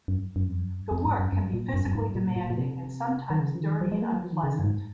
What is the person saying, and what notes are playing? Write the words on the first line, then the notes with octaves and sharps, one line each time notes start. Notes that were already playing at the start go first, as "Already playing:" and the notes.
The work can be physically demanding and sometimes dirty and unpleasant.
F#2
F#2
F2
F#2
F2
G#2
F#2
F#2
A#2
F#2
F#2
G#2
A#2
A#2
A#2
C3
D#3
C#3
F3
D#3
F3
G#3
A#3
F#3
F3
D#3
C#3
D#3
F#2
G#2